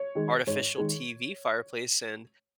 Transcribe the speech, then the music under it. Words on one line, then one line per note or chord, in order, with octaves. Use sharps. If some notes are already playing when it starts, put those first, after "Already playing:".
artificial, TV fireplace and
Already playing: C#5
D#3 G#3
G#2 C#5
D#3 G#3